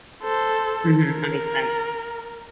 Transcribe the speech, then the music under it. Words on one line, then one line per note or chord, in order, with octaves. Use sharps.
Mhm, that makes sense.
A4 C5
A#4